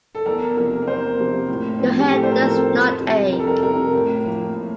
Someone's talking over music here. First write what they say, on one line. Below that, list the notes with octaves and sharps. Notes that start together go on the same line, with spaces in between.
Your head does not ache.
A4
E2 A#4
C3 F3 A#3 A#4
A#4
E2 C5
C3 F3 A#3
A2
F3 C4
G4
A2 A4
C5
A#4
F3 C4 A4
F2
C3 G3
F2 A#4
A4
A#4
C3 G3 A#4
A2
F3 A#3
A2